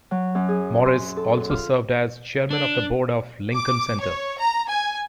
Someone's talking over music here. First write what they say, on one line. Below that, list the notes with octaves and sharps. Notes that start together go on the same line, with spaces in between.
Morris also served as chairman of the board of Lincoln Center.
F#3
F#2
G#4
C6
A4
F4
D4
D6
C#5
A#5
G#5